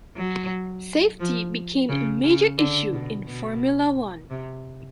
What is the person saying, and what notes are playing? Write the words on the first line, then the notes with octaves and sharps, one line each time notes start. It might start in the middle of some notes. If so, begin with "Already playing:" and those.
Safety became a major issue in Formula One.
F#3
F3
C#3
C#3
D3
B2
B2
C3